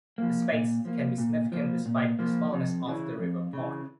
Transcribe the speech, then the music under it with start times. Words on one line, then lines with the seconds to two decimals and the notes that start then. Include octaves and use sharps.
The spates can be significant despite the smallness of the river pond.
0.18 F3 A#3
0.51 A#2
0.85 F3 A#3
1.18 A#2
1.52 F3 A#3
1.86 A#2
2.19 F3 A#3
2.53 F2
2.86 C#3 E3
3.20 F2
3.53 C#3 E3